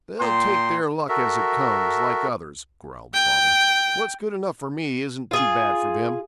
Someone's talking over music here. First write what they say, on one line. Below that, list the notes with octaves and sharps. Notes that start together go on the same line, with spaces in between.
'They'll take their luck as it comes, like others,' growled father; 'what's good enough for me isn't too bad for them.
A#2 G5 C6
F#4 A4 A#4 E5
G5
F4 G#4